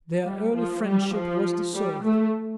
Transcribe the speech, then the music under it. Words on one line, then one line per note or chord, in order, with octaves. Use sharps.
Their early friendship was dissolved.
G3
F3
G3
F3
G3
A3